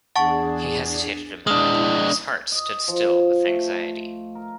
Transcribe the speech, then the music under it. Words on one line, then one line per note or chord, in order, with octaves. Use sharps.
He hesitated a moment, and his heart stood still with anxiety.
E2 D4 G#4 F#5 A5 C#6 A6
G#3 D4 E4 D#6 F6
D#5
F3
A3
A#4